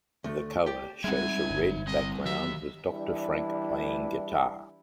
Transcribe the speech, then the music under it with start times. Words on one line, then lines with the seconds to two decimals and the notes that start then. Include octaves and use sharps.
The cover shows a red background with Doctor Frank playing guitar.
0.24 D2 A3
0.66 G4 D5
1.04 G3 G#3 C4 D#4 E5 F#5 G#5
1.50 G1
1.87 G3 C4 D#5
2.26 D#3 F#3 G4 E5
2.90 E3 G3 D4 E4